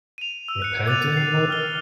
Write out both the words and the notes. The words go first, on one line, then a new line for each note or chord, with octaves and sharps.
repentant about it
D#7 F7
E6
F#6 C#7
D6 F#6 A6 D#7 F7
C7
F6 G7